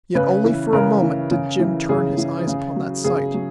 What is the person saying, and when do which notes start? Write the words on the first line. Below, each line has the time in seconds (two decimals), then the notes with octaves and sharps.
Yet only for a moment did Jim turn his eyes upon that sight.
0.15 C#3 B4
0.44 E3
0.73 C#3 A#4
1.02 E3
1.31 C#3
1.59 E3
1.89 C#3 G#4
2.17 E3
2.47 C#3
2.76 F#3
3.04 C#3 G#4
3.34 F#3